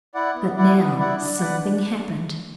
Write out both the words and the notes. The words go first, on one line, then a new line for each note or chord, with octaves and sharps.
But now something happened.
E4 D5 F#5
B3
E4 D5 F#5
B3
E4 D5 F#5
D4
B4 D5 F#5
D4